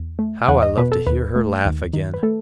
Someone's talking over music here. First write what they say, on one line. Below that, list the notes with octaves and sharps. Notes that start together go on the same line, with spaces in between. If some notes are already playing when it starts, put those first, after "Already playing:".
How I loved to hear her laugh again!
Already playing: E2
A3
E2 F#5
D#5
B2 B4
A4
D#2 B4
A3
D#2
D#3
B4
A3 A4